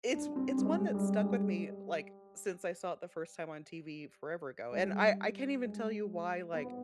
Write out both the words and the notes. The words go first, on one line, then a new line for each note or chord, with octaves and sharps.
it's, it's one that stuck with me, like, since I saw it the first time on TV forever ago, and I I can't even tell you why, like
D4
C4
G3
G#3
G3
G#3
G3
G#3
G3
G#3
B3